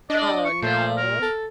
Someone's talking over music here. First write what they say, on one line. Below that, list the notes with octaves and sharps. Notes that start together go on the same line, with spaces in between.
Oh, no.
D4 D5 D#5
C#6
A#2 A3 C5
A#4
A4